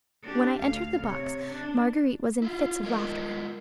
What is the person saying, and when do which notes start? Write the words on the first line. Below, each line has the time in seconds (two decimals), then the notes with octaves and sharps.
When I entered the box Marguerite was in fits of laughter.
0.23 D4 G4
0.59 D2 F5
1.00 C3 C#5
1.52 D4
2.42 E4 F4
2.83 G#3 F4 A#4 D#5